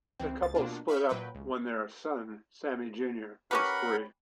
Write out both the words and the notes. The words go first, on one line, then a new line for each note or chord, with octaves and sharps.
The couple split up when their son Sammy Junior was three.
C#2 E3 C4
C#2 A6
B2 A#3 D4 F4
E5 F5 B5 C#6 F6 G6
A#2 F#3 B4 G5
C#2
C#4 G4 A#4 B4 F#5 B5